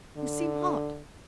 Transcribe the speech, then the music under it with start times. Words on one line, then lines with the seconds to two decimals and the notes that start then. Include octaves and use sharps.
"You seem hot."
0.17 D3